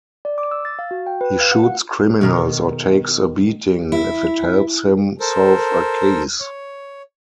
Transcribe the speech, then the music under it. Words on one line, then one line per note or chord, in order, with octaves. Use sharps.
He shoots criminals or takes a beating if it helps him solve a case.
D5
D6
E6
A6
F5
F#4
G5
B4
F5
F#5
F#5
B2 D#3 A#4
E4
A4 A#4 C5
C#5